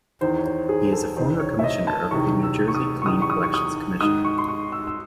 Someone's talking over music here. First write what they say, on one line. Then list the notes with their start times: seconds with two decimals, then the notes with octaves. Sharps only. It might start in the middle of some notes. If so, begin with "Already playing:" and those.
He is a former Commissioner of the New Jersey Clean Elections Commission.
0.21 E2 D#3 C5
0.38 C#5
0.45 C5
0.69 G#4
0.86 C5
0.93 A4
1.16 E2 D#3 C5
1.40 C#5
1.59 E5
1.64 D#5
1.87 A5
2.11 E2 C3 D#3 C#6
2.43 E6
2.68 C#6
2.75 D#6
3.02 C#6
3.06 E2 D#3 D#6
3.22 C#6
3.30 D#6
3.43 C#6
3.54 D#6
4.01 G#2 D#3 D#6
4.25 C#6
4.38 C6
4.48 C#6
4.72 E6
4.87 E6